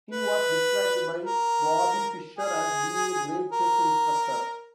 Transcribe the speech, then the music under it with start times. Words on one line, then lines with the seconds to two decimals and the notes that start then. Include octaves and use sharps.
He was described by Bobby Fischer as being a great chess instructor.
0.11 B4
1.24 A#4
2.38 G#4
3.52 A#4